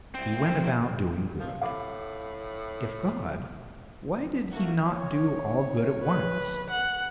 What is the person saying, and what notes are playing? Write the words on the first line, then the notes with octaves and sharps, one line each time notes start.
He went about doing good: if God, why did he not do all good at once?
C2 C4
C3 F3
A2 F5 B5 D6
A3 A#3 F#4
C#5
B4
F#5